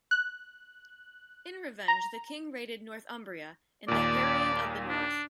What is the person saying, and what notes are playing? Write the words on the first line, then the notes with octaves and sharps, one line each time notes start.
In revenge, the King raided Northumbria in the "Harrying of the North".
F#6
A#5
D#2 A#2 D5
D4